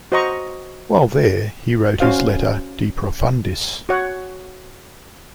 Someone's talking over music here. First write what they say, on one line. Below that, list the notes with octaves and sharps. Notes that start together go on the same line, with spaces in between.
While there, he wrote his letter "De Profundis".
F#4 C5 D#5 A#5 C#6
C#4 F#4 C5 F5
F#4 C#5 F#5